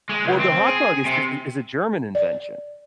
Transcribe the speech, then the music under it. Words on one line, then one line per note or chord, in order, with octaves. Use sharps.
Well, the hot dog is just a is a German invention.
G#3
C#2
C4
G#4
C3
D5